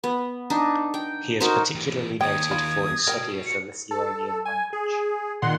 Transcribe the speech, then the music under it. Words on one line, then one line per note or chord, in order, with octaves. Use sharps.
He is particularly noted for his study of the Lithuanian language.
B3
D4 D#4
G5
D#4 F#4 A#4 C5
E3 G4
D#2 C#5 G5 D#6 G#6
D#3 F4 B5
F#4 A#4 D#5 G5
C#7
A4
G#5
G#4
A#2 D#3 F#5 C6